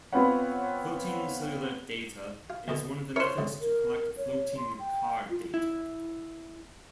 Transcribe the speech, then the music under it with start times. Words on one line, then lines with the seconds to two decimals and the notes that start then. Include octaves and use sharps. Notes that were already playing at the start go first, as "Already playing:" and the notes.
Floating cellular data is one of the methods to collect floating car data.
0.13 B3 C4 F4 B4 C#5 F#5
2.50 F4
2.68 D#2 B2 D3
3.16 D4 E4 A#4 C5 C#5
3.38 C#2 G#2 D3
3.61 A#4
4.17 C#5
4.57 C6
4.80 G5
5.30 F4
5.54 E4